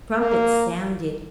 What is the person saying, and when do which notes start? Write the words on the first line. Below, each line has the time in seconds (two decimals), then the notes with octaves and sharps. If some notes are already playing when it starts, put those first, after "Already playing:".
Trumpets sounded.
0.19 A#3